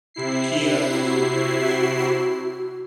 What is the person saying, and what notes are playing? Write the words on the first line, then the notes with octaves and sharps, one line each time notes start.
Kira is enraged.
C3 E4 C7
F#4